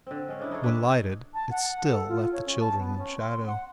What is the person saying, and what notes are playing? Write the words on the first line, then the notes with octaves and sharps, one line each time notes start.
When lighted it still left the children in shadow.
D3 C4
G#3 C#4
C#3 D4 E4
D#4 G#4 A4 C#5
D4 B4 C#5 E5
A5
F#5
A4
F4
C#5
C#4
A5
B3
C#4
C6
F#5